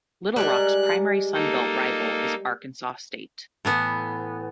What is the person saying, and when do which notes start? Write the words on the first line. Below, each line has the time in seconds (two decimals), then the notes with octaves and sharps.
Little Rock's primary Sun Belt rival is Arkansas State.
0.36 G3 G#3 A#4 F#6
1.34 A#3 D#4 A4
3.65 A2 E3 B3